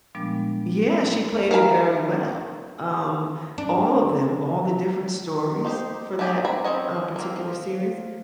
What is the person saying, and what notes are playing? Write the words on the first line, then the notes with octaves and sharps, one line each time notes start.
Yeah, she played it very well. Um, all of them, all the different stories for that, um, particular series,
A#2 F3 G3 G#3 B3 D4
A#4 E5 F5 G#5 B5
D4
D#4 G4 C5
A3 B3 G4 G#5
C4 G#5 A#5 B5
C4 C#4 C#5 D#5
A#3 C4
F3